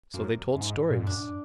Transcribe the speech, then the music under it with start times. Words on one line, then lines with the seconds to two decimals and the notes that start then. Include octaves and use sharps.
So they told stories.
0.14 F#2 A#3
0.55 F#2
0.61 G#2
0.90 A#2
0.99 G#2
1.06 F#2 D4